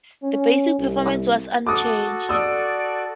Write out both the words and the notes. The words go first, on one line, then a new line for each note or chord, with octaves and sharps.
Basic performance was unchanged.
C#4
C2
F#4 A4 D6 D#6
D5 D#6 E6